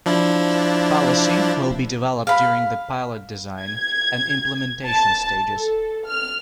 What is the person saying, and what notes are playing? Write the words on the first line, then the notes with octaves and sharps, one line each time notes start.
Policy will be developed during the pilot design and implementation stages.
F3 D4 E4
F5 B5
G#6
A5
A4
F6